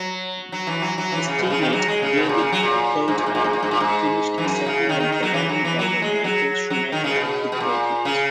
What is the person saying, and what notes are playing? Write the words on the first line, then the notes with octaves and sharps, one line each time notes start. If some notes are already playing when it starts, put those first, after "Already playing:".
His teammate David Coulthard finished second and Ferrari driver Michael Schumacher took third place.
Already playing: F#3
F#3
E3
F#3
F#3
E3
C#3
B2
C#3
D#3
E3
F#3
G#3
C#3
B2
A#2
C#3
F#3
A#2
G#2
A#2
G#2
A#2
G#2
A#2
G#2
A#2
G#2
E3
F#2
C#3
D#3
D#3
D#3
F#3
E3
F#3
E3
F#3
G#3
F#3
F#3
D#3
C#3
B2
B2
A#2
C#3